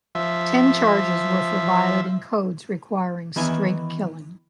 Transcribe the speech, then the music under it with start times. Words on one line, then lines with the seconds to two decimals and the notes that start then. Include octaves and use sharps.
Ten charges were for violating codes requiring straight killing.
0.15 F3 E5
3.36 D#3 E3 B3 E5 G#5